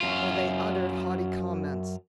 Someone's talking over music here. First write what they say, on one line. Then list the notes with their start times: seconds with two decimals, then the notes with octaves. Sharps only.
Or they uttered haughty comments.
0.01 F#2 F4